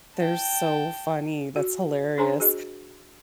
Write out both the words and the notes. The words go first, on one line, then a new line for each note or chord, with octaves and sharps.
They're so funny. That's hilarious.
G5 A5
F#4
D4 G#4 C5 G#5 A#5 C6
F#4 G#4 D#5